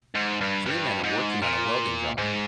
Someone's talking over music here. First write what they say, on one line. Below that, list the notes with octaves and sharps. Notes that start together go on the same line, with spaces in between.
Three men are working on a welding job.
G#2
G2
G2
G#2
A#2
G#2